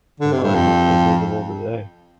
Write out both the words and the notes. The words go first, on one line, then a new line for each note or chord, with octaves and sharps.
The mark is still visible today.
D3
C3
G2
F2